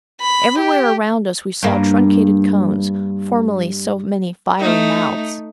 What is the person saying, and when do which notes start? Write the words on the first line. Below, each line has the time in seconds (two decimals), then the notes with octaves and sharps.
Everywhere around us we saw truncated cones, formerly so many fiery mouths.
0.21 B5
0.59 G4
1.63 G2 A#3
4.59 A3 D#4